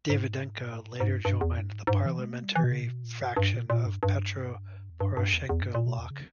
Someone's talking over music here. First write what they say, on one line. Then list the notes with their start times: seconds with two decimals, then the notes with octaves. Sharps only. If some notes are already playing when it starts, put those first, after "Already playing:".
Davydenko later joined the parliamentary faction of Petro Poroshenko Bloc.
0.10 G#2
1.00 G#2
1.08 G2
1.25 G2
1.41 E2
1.58 G2
1.70 G#2
1.87 G#2
1.95 G2
2.06 E3
2.19 G#3
2.31 A#3
2.43 G3
2.56 E3
2.64 B2
2.72 C#3
2.83 A#2
2.87 B2
3.04 A#2
3.20 G2
3.37 G2
3.54 A#2
3.70 A#2
3.86 G2
4.03 G2
4.90 E2
5.00 G2
5.17 G2
5.33 E2
5.49 E2
5.62 G2
5.75 A#2
5.86 B2
5.99 E2
6.11 C#3